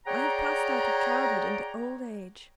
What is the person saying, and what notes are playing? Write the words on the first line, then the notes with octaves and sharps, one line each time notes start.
I have passed out of childhood into old age.
G#4 C#5 D5 F#5 G5 A#5